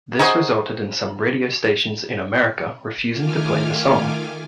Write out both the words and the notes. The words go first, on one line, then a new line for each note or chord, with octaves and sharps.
This resulted in some radio stations in America refusing to play the song.
D#4 F#4 G#4 C5
D#3 A3 F4 G#5 D6 F6